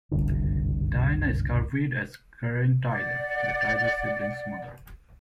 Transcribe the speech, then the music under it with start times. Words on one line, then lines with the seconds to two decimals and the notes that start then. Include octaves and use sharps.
Diana Scarwid as Karen Tyler - the Tyler siblings' mother.
0.11 F#1 C2 G2 D3
2.88 D5 F#5